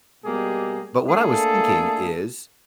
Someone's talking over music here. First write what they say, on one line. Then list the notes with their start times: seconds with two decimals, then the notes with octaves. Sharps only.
but what I was thinking is,
0.25 B2 G3 G#3 A#3 G4 G#4
1.08 A3 A#3 D4 G#4 A4